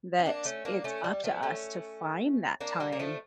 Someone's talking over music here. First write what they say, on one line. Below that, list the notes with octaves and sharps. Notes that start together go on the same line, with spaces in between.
that it's up to us to find that time
C#4
A#3 D4
A3 C#4
A#3 D4
A3 C#4
G3
F3 A3
A3 C#4
A#3 D4
G3 A#3
A#3
F3 A3